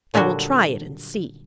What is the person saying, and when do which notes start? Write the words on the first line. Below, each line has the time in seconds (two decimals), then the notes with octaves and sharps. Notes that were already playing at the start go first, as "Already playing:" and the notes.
"I will try it and see."
0.14 A#2 D3 F#3 G3 F#4